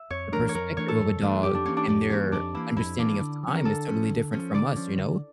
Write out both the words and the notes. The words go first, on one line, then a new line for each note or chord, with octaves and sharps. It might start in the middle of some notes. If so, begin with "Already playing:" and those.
the perspective of a dog and their understanding of time is totally different from us, you know?
Already playing: E5
F2 C#5
E3 A3 D4 A#4
C#5
F2 A#4
E3 A3 D4 C#5
A4
F2
E3 A3 D4
F2 G4
D4
E3 A#3 C#4
D4
F2 D4
E3 A#3 C#4
F2 D4
E3 A#3 E4
F2 E4
E3 A#3 D4
D3
F3 C#4
A#4
D3 A4
F3 C#4
D3
F3 C#4
D3 D5
F3 C#4
D3